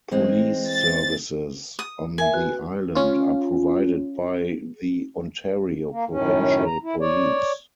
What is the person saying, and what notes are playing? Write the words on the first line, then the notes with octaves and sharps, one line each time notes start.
Police services on the island are provided by the Ontario Provincial Police.
E3 G#3 C4
A6
D#6
A#4 E5 G#5
F#4 B4 F#6
C#4 F4
A#3
F#2 A2 D#3 C#4
A#5
E4
C#5 D5